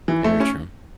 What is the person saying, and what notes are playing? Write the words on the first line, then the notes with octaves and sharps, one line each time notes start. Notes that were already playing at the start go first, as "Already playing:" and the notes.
Very true.
E3
A3
C#4